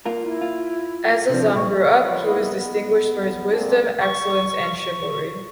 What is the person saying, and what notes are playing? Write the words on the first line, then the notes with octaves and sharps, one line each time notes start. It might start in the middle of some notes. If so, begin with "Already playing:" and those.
As Azam grew up, he was distinguished for his wisdom, excellence, and chivalry.
A#3 F4 A#4
E4
F4
C3 F3 D4
A#2 C#6
F3 F4 B4 C#5 D5
A#3 B3 E4 B4 D#5
B3
G#3 A#3 C4 D4
C#6